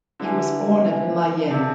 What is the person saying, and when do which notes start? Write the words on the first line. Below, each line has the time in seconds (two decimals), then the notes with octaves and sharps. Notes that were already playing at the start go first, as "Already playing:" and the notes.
He was born at Maillen.
0.20 D3 E4 B4 E5 G#5
0.85 E4 B4 E5 G#5
1.51 C3 G#4 D5 F5 A5